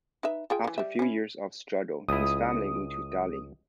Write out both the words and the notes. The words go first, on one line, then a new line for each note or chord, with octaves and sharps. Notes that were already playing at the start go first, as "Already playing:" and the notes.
After a few years of struggle, his family moved to Delhi.
D#4 B4 E5
F4 G#4 G5
C#3 E3
G3 E5
C#4 E4
C#2 E4 D#6